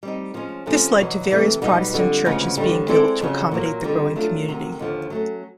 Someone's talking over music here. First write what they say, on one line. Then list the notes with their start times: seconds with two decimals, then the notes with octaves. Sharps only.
This led to various Protestant churches being built to accommodate the growing community.
0.03 G3 C4 D#4
0.34 F3 G#3 C#4
0.66 C3 F3 A3 C#4
0.99 E2 B2 F#3
1.31 C3 E3 A3
1.62 B2 G3 B3 D#4
1.93 F2 D3 G3
2.25 D2 C#3 F3 G#3 B3
2.57 D#2 D3 G3
2.88 G#3 C4 E4 A4 D5
3.20 F2 C#3 F#3
3.52 A#2 F#3 A#3
3.84 F2 D3 G3
4.16 F#3 A3 D4 F4
4.48 D2 C3 D#3
4.79 D#2 D3 F3
5.10 F#3 A3 C#4